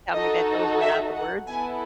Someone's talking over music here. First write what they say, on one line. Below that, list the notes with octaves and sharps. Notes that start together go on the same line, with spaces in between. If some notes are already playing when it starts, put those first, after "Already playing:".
tell me that those were not the words.
D#4 F#4 A4 D#5
E5
F#5
B3 E4 A4 G#5